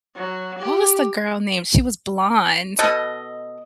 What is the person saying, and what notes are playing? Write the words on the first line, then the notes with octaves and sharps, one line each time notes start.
what was the girl name? She was blonde.
F#3
G4
B2 A4 D#5